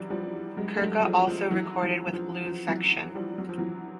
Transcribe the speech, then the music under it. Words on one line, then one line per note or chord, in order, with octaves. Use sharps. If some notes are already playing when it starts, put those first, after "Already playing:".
Kirka also recorded with Blues Section.
Already playing: E3 F#3 G3
F3 G3
F#3 G#3
A3
F#3 G#3
F#3
F3 G3
F3
E3 F#3
E3 F#3
F#3
F3
F3
E3 F#3
F3 G3
F#3
F3
E3 F#3